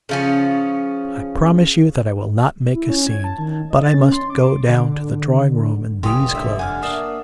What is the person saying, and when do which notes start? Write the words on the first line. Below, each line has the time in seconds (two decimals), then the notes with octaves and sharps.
I promise you that I will not make a scene, but I must go down to the drawing-room in these clothes.
0.09 C#3 F3 C#4
2.74 E4
2.89 C#4
3.07 G#6
3.24 A5
3.39 D#3
3.70 D#5
3.83 A6
3.94 C#4
4.12 C6
4.30 D6
4.68 D3
6.03 F1 E2 G2 C#3 G4 C#5 C6 D#6
6.30 D3 E5
6.59 F#5 G#5 D6 F6
6.83 A#3 D4 E5 D#6